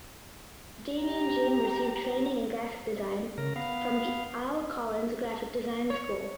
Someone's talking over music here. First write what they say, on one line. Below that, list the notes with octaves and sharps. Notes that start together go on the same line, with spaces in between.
Damian Jim received training in graphic design from the Al Collins Graphic Design School.
G4 A#5
C#3 A#4
B3 F5
C#5